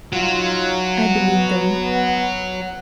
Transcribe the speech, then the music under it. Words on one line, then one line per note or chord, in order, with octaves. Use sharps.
I believe them.
F#3 D#4 F4
B3